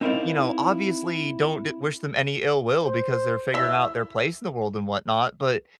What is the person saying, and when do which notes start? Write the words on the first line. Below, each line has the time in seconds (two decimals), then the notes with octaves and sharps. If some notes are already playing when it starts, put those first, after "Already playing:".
you know, obviously don't d wish them any ill will because they're figuring out their place in the world and whatnot, but
0.01 C4 D#4 E4 A#4 D5 F5
2.83 C5
3.54 E4 E5